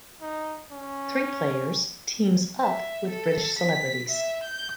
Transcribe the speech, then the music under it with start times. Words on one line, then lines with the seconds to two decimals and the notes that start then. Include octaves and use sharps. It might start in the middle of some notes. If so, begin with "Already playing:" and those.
Three players teams up with British celebrities.
0.21 D#4
0.72 C#4
2.62 E5
3.08 A4
3.59 B6
4.09 E5
4.43 G6